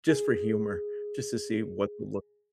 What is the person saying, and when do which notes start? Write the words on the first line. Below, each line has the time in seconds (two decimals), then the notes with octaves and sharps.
just for humor, just to see what the look
0.09 G#4